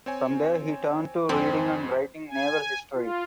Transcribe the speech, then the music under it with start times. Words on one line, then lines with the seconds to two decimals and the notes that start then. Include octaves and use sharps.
From there he turned to reading and writing naval history.
0.06 C4 C#5 G#5
1.29 F2 G#2 C4 G#5
2.28 G#5
2.94 F4